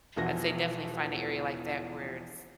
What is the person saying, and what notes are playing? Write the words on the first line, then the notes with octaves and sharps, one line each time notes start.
I'd say definitely find a area like that where it's
E1 E2 E3 F3 F#4 A#6